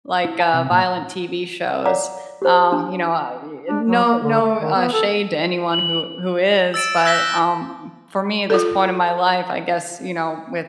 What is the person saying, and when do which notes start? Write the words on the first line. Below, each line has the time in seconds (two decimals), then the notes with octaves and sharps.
like, uh, violent TV shows. um, you know, uh, e and no no, uh, shade to anyone who who is, but, um, for me at this point in my life, I guess, you know, with
0.25 E4
0.40 A5
0.53 C3
0.70 A#2
1.85 C#5 D5 F5 F#5 A#5 D6
2.42 G4 C5
2.72 D4
3.68 D4
3.86 F#3
4.04 A#3
4.21 D3
4.42 A3
4.61 D#3
4.75 B3
4.93 A4
5.72 F#7
6.74 E6 A6 D7 E7
7.05 E6 F#6 G6 A#6 B6 G7
8.50 F4 A4